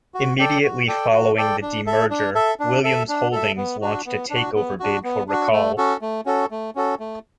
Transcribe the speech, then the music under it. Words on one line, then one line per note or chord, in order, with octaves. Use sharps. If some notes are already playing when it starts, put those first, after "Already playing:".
Immediately following the demerger, Williams Holdings launched a takeover bid for Racal.
F#4
A4 D5 G5
F#4
A4 D5 G5
F#4
A4 D5 G5
D4
A4 E5
D4
A4 E5
D4
A4 E5
D4
A4 E5
B3
D4 F#4
B3
D4 F#4
B3
D4 F#4
B3
D4 F#4
A3
C#4 F#4 A4
A3
C#4 F#4 A4
A3
C#4 F#4 A4
A3